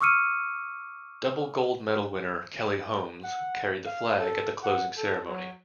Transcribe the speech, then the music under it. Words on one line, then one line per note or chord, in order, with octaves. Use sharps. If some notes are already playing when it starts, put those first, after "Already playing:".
Double gold medal winner Kelly Holmes carried the flag at the closing ceremony.
C#6 D6 E6 F6 C#7 D#7
F#5
F5
A4
F#5
A4
F#3